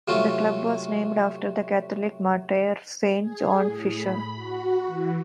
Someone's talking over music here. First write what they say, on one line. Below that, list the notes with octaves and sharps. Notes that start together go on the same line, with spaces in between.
The club was named after the Catholic martyr Saint John Fisher.
C3 F#3 A3 F4
G#4
A2
B5
F#4
E3